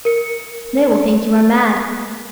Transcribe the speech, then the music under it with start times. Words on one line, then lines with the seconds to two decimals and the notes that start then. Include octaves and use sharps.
"They will think you are mad."
0.05 A#4 C#7